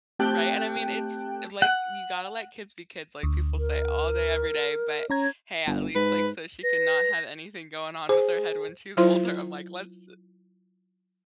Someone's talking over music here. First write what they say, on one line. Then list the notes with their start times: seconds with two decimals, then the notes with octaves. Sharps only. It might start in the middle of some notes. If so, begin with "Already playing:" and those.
Right, and I mean, it's, like, you gotta let kids be kids, like people say all day, every day, but hey, at least, like, so she can not have anything going on with her head when she's older, I'm like, "Let's
0.19 A3 C4 G4 G5 A5 F#6
1.62 F#5
3.23 D2
3.58 A#4
5.10 C#4 C#5 A#5 G#6
5.67 G1
5.95 G#2 B4
6.63 B4 A#6
8.09 G#4 C5
8.97 F#3 E4 F4 C5 C6